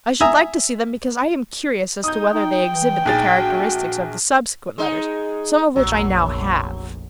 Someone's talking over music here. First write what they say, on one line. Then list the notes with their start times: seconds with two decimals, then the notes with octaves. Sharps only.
I should like to see them because I am curious as to whether they exhibit the characteristics of the subsequent letters, some of which I now have.
0.21 E5 G#5 A#5 D#6
2.04 D#4 D#6 G6
2.34 D#4 G5
2.73 E3
3.05 A#1 D#4 G#4 A6
3.37 F#4
4.78 G#3 D#4
5.76 F1 A#1 F#3